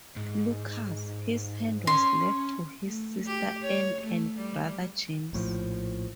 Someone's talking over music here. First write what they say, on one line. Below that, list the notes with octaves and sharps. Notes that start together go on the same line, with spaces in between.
Lucas, his land was left to his sister Anne and brother James.
G#2
C#4 C6
A3
G4
C#5
A3
G3
A#1 A2 C3 F3